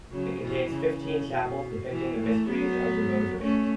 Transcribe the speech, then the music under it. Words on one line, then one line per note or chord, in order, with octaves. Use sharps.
It contains fifteen chapels depicting the mysteries of the Rosary.
C#3 F#3
B2 E3
C#3
C#3
B2
B2 E3
E3 A3
F#3 B3
A3 C#4